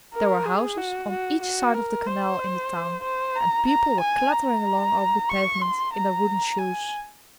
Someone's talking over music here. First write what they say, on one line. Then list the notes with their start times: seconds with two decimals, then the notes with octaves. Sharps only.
There were houses on each side of the canal, in the town, and people were clattering along over the pavement in their wooden shoes.
0.13 A#4
0.45 G#4
0.77 F#4
1.10 F#4
1.42 F#4
1.75 A#4
2.07 C5
3.03 C5
3.36 A#5
3.68 A#5
4.00 G#5
4.32 A#5
5.29 C#6
5.61 C6
5.93 A#5
6.58 G#5